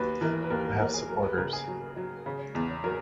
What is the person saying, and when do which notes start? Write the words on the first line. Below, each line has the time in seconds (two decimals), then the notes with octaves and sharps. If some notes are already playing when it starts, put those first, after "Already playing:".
I have supporters.
Already playing: D#2 F#3 B4
0.21 E3 A#4
0.44 B4
0.50 D#2 A#4
0.65 A#4
0.80 D#2 A#4
0.94 G#4
1.09 F#3 A#4
1.23 B4
1.38 C#3 A#4
1.53 G#4
1.68 F#3
1.97 F#3
2.26 C#3
2.55 E2
2.84 F#3 A#4